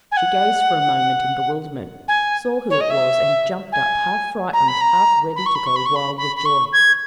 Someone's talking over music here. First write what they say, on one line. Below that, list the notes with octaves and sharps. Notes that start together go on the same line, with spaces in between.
She gazed for a moment in bewilderment, saw who it was, and jumped up half frightened, half ready to go wild with joy.
G#5
F#5
G#5
C#5
D#5
E5
G#5
A#5
B5
A#5
B5
C#6
B5
C#6
B5
C#6
B5
B5
B5
C#6
G#6